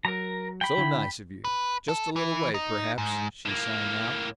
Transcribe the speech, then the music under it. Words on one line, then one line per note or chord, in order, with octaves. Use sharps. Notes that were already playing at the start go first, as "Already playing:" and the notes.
"So nice of you--just a little way, perhaps?" she sang out.
F#3 A#4 A#5
G5 B5
D3 E4
B4
A4
E3
D#4
G#2
A2 A#3